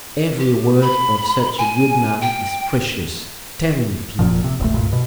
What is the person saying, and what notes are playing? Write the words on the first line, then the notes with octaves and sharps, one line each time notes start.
"Every word of such a good man is precious: tell me, please."
G4
B5
G#5
G5
F1 A#2 F3
C3
E1 A#1 A3
C2 G2 A#2
B2